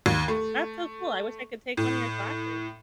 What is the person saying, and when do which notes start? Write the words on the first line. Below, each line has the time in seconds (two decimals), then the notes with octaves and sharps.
That's so cool, I wish I could take one of your classes.
0.06 D#2
0.28 A3
1.77 A2